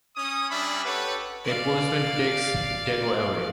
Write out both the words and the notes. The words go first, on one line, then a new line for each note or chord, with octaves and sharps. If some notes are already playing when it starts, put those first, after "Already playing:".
A policeman takes Dago away.
C#4 D#6
G3 C#4 D4 E5 B5
G4 A4 B4 C#5 F#5
D5 F5